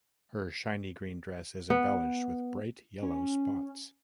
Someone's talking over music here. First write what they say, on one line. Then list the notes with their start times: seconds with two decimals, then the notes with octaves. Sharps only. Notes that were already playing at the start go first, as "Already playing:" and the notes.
Her shiny green dress is embellished with bright yellow spots.
1.70 B3
3.02 C#4